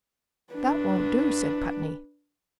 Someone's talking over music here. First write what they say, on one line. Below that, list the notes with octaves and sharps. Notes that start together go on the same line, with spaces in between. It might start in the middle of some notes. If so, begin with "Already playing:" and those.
"That won't do," said Putney.
D4 B4